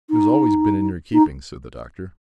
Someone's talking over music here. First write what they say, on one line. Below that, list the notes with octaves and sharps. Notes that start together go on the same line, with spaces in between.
"It has always been in your keeping," said the Doctor.
D#4
D#4